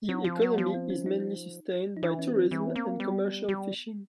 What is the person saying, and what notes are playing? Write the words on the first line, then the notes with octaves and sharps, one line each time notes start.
The economy is mainly sustained by tourism and commercial fishing.
F#3 C4
F3
F#3
F3 B3
C4
C#4
D#4
D#4
E3 D4
C#4
C4
E3 C4
B3
A#3 C4
G3 B3
G3